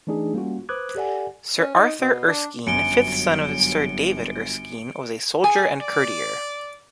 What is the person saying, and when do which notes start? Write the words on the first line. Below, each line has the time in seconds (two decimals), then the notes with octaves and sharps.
Sir Arthur Erskine, fifth son of Sir David Erskine, was a soldier and courtier.
0.07 E3 A3 D4 D#4 G#4
0.34 G3 A#3 C#4 F4 F#4
0.69 B4 C5 D6 D#6 F#6 G#6
0.95 G4 A4 D5 F#5 G#5
1.58 C#4
1.75 D#4
2.01 B2
2.27 D4
2.67 G1 F#2 F#3 C#7 D7 G7
5.44 G#4 G#5
5.81 D5